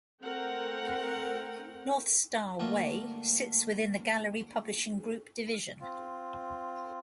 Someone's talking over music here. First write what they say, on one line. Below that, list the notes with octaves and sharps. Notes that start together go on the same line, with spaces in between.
North Star Way sits within the Gallery Publishing Group division.
A3 C4 A#4 F#5 G5
G2 D3 A3 A#3 F4
C4 F4